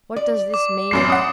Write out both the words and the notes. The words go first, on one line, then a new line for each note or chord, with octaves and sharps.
What does this mean?
D5
D6
A1 F#2 C7
F#5 D#6